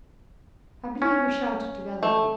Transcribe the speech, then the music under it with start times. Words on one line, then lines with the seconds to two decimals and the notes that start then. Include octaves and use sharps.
I believe we shouted together.
1.02 C#4
2.03 A3